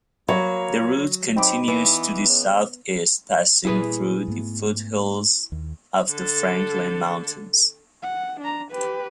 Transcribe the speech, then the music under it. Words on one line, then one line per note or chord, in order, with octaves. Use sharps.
The route continues to the southeast passing through the foothills of the Franklin Mountains.
F#3 A#3 C#5 A#5 B5
C4 D#4 B5 D6
E3 B3
C#3
A#2 G3 E4 G#4 B4
G#2 A3 B3
D#2
D3 A4
F#5
D4 A#5
G4 B4